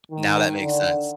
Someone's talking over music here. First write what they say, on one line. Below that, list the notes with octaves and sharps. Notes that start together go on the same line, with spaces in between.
Now that makes sense.
D#3
D3